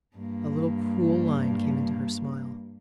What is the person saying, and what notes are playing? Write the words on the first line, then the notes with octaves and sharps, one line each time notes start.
A little cruel line came into her smile.
G2 A#3